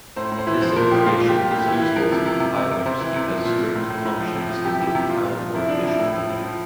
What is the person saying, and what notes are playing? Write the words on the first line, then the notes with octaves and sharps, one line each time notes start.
This information is useful to compilers because strict functions can be compiled more efficiently.
A2 C5
A2
C5
E3
F3 C5
A#2 A#4
F3 G4
A#2 F4
A#2
G4
A#2
A2 G4
E3
E3
F3 A#4
C3
C3
C3
C3
C3
C3 C5
E3
C3
F3
A#2
A#2
A2
A2
A2
F3
C3
F3
C3 G4
E3
G4
C3
A#2 F4
A#2
F3
C3 E4
F3 D4
C3 E4
A2
F3
F3
F3